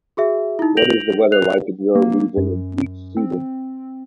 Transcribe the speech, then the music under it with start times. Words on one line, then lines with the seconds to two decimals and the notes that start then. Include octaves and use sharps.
What is the weather like in your region in each season?
0.17 F#4 G#4 E5
0.59 D#4 E4
0.77 G6 A#6 D7 F7 F#7
1.32 F#6 C7 F7
1.95 A#3
2.37 F#2
3.17 C4